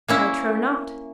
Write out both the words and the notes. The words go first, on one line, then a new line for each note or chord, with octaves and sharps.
I trow not.
A#3 C#4 E4